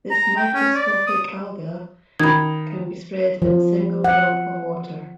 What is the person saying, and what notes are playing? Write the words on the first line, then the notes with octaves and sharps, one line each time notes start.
This microscopic alga can be spread in a single drop of water.
A#5
G5
C#4
D5
D#6
D#3 B5 G#6
F3
F#5